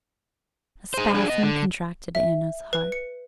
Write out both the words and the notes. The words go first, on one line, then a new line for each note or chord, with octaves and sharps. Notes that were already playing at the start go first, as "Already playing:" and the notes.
A spasm contracted Anna's heart.
G#4 C5
D4 G#4
B3 D#5
D3
E5
B4
C#7